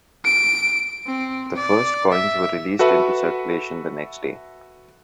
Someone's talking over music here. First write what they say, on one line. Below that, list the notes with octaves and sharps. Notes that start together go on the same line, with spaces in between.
The first coins were released into circulation the next day.
D7
C4
D5
E5
F#4 A4 B4 E5 F#5